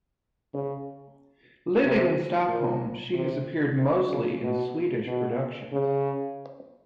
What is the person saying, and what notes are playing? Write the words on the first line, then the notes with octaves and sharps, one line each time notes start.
Living in Stockholm, she has appeared mostly in Swedish productions.
C#3
C3
A#2
C3
C3
C#3
B2
B2
C#3